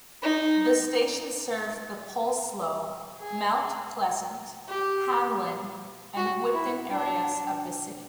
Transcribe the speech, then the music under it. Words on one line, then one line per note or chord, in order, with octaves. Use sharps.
The station serves the Polsloe, Mount Pleasant, Hamlin and Whipton areas of the city.
D#4
G#4
G4
F#4
E4
D4